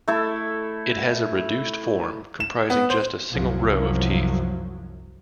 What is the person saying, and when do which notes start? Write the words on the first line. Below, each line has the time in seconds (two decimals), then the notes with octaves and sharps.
It has a reduced form, comprising just a single row of teeth.
0.08 A3 E4 A4
2.40 E7
2.70 B3
2.90 C5
3.33 C2 F#2 F3 F#3